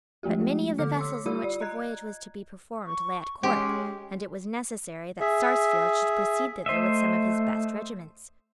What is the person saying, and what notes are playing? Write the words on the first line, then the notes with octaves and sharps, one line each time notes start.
But many of the vessels in which the voyage was to be performed lay at Cork; and it was necessary that Sarsfield should proceed thither with some of his best regiments.
F3 G#3 A3 F4 G4
D3 A4 D6 F6 C#7
C#5 C6 D6 E6
G3 F4 G4 B5 E6 D#7
D5
D#5 A#5 F#6 G#6
C#6
G#3 C#4 G4
G#4 E5
A3 C5 D#5 E5